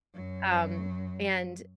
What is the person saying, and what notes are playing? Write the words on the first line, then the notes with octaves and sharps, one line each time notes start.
um and
F#2 F#3